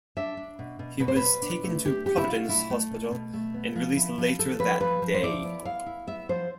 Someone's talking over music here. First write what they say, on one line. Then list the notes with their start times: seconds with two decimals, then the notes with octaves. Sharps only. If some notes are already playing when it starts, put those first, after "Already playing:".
He was taken to Providence Hospital and released later that day.
0.17 D4 E5
0.37 D4
0.59 B2
0.79 B2
1.00 B2 B4
1.08 C5
1.16 B4
1.22 B2
1.42 D4
1.64 A3
1.85 D4 G4
2.06 D4 G4
2.17 E4
2.27 B2 F4
2.48 A3 E4
2.70 A3
2.91 B2
3.12 B2
3.34 A3
3.54 B3
3.75 F3
3.96 E4
4.18 F3
4.39 F3 A4
4.59 F3 B4
4.80 F3 B4
5.02 F3
5.14 C5
5.23 E4 D5
5.44 B3
5.65 E4 F5
5.86 E4
6.07 B3 E5
6.29 F3 C5